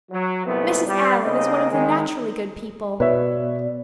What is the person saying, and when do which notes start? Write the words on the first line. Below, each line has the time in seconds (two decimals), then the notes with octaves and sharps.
Mrs. Allan is one of the naturally good people.
0.12 F#3
0.46 C2 F2 A#2 A3 B3
0.86 G3
1.25 C#3 A#3 C4 D#4 D#5
1.71 D#3 G#3
3.00 B2 B4 C#5 D5 E5